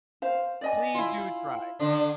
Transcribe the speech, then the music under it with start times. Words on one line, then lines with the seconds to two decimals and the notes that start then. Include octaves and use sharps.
Please do try.
0.22 C5 F5
0.61 D5 D#5 G#5
0.94 E4 F4
1.79 D3 D4